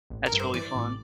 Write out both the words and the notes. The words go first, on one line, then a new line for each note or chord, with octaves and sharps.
That's really fun.
A1
A#4
G2
C5
E3 D5
A1